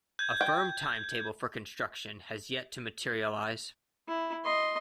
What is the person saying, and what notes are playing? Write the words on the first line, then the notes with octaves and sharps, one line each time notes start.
A firm timetable for construction has yet to materialize.
G6 G#6
G5
E4
D#5 C6